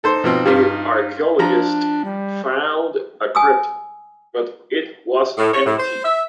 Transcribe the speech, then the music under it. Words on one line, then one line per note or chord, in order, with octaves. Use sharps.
The archaeologists found a crypt, but it was empty.
D#4 A4 C5 C6
B2 F3 C4
G2 F4
F3 D4 A#5
G3
G#5 D#6 E6
A2
C#5
A2
C5
E5